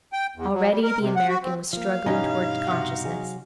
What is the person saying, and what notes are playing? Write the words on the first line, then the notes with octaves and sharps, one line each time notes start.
Already the American was struggling toward consciousness.
G5
E2
F#3
G3
A#4
C3
F#5
F#4
C4
F3 A#3 F5
G2 B2 E3 C#4 D#4 G4
C3 F#4
F#3 G#4